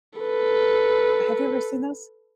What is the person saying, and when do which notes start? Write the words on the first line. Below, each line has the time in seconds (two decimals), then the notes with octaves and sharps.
Have you ever seen those?
0.19 A4 B4